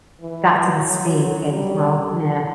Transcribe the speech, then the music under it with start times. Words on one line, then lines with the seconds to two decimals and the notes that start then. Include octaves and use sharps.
got to the snake and, well, yeah.
0.21 E3
0.65 F#3
1.09 F#3
1.54 G3